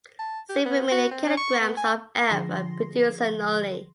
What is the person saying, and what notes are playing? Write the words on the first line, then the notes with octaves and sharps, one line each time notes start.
Several million kilograms of F are produced annually.
A5
G4
B3
F#4
C4
C#4
C#6
B3
G#5
D3 F3 G#4 C6 A#6 C7